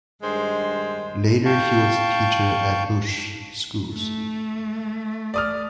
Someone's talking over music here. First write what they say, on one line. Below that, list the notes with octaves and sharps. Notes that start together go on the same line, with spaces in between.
Later he was a teacher at bush schools.
G2 D#3 G#3 C5
F5 G5 A5 C#6 G6
A3
D5 D#6 F6